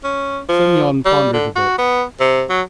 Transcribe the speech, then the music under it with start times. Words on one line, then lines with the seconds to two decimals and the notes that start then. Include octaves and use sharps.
Semyon pondered a bit.
0.04 C#4
0.49 F3
1.05 G3
1.34 D3
1.56 F#4
1.78 B3
2.20 C3
2.50 F#3